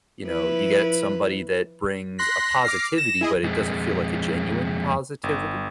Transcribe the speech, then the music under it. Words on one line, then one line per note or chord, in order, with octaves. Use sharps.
you know, you get somebody that brings a positivity, but it doesn't feel like a genuine positivity.
F3 E4 B4
C6 F#6 A#6 B6
D6 F6 C7
A#6 E7
E4 G#4 D#5
F2 G#3
G1